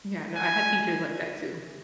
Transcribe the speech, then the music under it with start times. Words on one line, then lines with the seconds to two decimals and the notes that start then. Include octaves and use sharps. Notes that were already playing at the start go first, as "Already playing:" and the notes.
Yeah, no, I had teachers like that too.
0.36 G#5